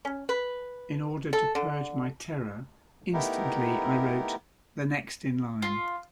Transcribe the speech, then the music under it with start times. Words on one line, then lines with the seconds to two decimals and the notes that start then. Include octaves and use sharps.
In order to purge my terror, instantly, I wrote 'The Next in Line.
0.05 C#4
0.29 B4
1.33 A4
1.55 D3
3.13 A3 B3 D#4 E4 G4 A#4
5.62 F4